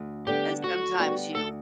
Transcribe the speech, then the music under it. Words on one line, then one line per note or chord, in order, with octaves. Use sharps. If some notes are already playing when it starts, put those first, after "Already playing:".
and sometimes you
Already playing: D2
D3 G3 B3 G4
D2 F#4
D3 G3 B3
D2 A4